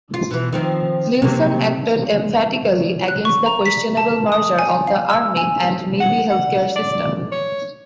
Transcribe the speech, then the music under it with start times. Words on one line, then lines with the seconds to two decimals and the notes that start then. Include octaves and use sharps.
Nilson acted emphatically against the questionable merger of the army and navy healthcare system.
0.14 F4
0.31 B2 E3
0.52 D#3 F3 C4
1.22 C3 F#3 A#3
3.08 F#6
3.25 C#6
3.46 A#5
3.66 B6
3.97 A5
4.32 D#6
4.59 G#5
4.87 F5
5.10 E6
5.37 G#5
6.00 F#5
6.30 F#5
6.76 D5
7.32 C#5